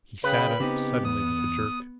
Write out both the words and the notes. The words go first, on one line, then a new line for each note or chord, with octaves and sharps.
He sat up suddenly with a jerk.
C#3 B4 G5 B5
C#3 B3 C4 D#4 G4
E2 D#6